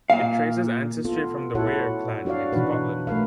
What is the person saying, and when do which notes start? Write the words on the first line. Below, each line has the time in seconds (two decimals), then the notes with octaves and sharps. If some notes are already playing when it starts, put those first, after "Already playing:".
It traces ancestry from the "Weir" clan in Scotland.
0.10 A#2 F5
1.05 B3 F4 A4
1.55 E4 F#4 A4 C#5 F#5
2.25 D4 F#4 C#5 D5 F5
2.52 B2 E3 D4 D#4 F#4 B4
3.07 A3 A#4 B4 F5